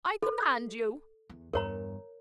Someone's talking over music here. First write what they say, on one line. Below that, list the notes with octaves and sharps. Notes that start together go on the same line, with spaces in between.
"I command you!"
A4
E2
E2 G2 A#4 C#5 A#5